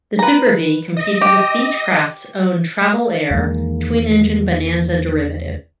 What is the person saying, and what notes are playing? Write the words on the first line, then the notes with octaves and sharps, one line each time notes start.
The Super-V competed with Beechcraft's own Travel Air twin-engine Bonanza derivative.
B4 A#5
D#5
G4
E2 D#3 G#3 A#3